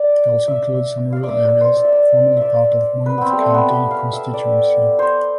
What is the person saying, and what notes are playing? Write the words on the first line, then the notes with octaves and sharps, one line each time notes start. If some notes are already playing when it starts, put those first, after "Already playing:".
It also included some rural areas formerly part of Monmouth county constituency.
Already playing: D5
E5
F5
D5
E5
D5
C5
D5
E5
D5
D5 E5
B4
B3 C4
G3 A3
C4
B3
G4
F5
E5
D5
C5